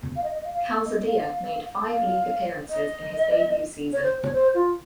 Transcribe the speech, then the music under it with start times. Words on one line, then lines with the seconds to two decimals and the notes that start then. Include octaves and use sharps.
Calzadilla made five league appearances in his debut season.
0.16 F5
0.24 D#5
0.34 D#5
0.44 F5
0.54 F5
0.86 D#5
1.06 F5
1.88 F5
2.70 D#5
3.93 C#5
4.03 C5
4.23 C#5
4.33 C5
4.54 F4